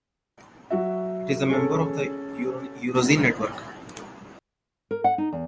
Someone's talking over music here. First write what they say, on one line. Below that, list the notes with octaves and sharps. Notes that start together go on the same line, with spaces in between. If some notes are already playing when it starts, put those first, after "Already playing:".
It is a member of the Eurozine network.
F#3 F#4 E5
C#4 G#4 A4
A#4
F#5
D#4
E2